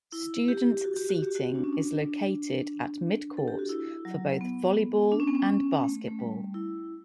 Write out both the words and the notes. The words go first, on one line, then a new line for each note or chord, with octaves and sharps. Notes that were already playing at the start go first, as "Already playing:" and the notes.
Student seating is located at midcourt for both volleyball and basketball.
E4
G4
F#4
G4
F#4
G4
F#4
D4
C#4
D4
A4
G4
F#4
E4
F#3
B3
D4
C#4
B3
C#4
A3
A3
G3
E4